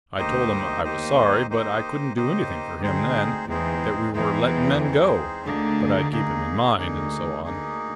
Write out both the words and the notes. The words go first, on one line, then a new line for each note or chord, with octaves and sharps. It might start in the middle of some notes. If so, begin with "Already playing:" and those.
I told him I was sorry, but I couldn't do anything for him then; that we were letting men go, but I'd keep him in mind, and so on.
D2 D3 A#3 D#4 G4 C5 D#5
D#2 D#3 A#3 D#4 G4 C5 D#5
A#3 D#4 G4 C5 D#5
C#3 A#3 D#4 G4 C5 D#5
D2 D3 G#3 C4 D#4 G#4 C5
E2 E3 G#3 C4 D#4 G#4 C5
E2 E3 G#3 C4 D#4 G#4 C5
G#3 C4 D#4 G#4 C5
D2 D3 A#3 D#4 G#4
A#3 D#4 G#4
D2 D3 A#3 D#4 G#4
D2 D3 A#3 D#4 G#4